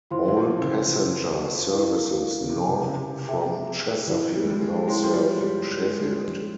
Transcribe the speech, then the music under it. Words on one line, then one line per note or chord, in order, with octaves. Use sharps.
All passenger services north from Chesterfield now serve Sheffield.
E3 F4 C5 F5 C6
E3
F3
C#3
E3
E4 A#4 F5
C#3
C3
C#3
C3
G#4 E5 G5
E3
G3
G#3
G3
G#3
G#3 E4 G#4 C#5 G5 C6
F3
G3
G3
G3
G#3
G3
F3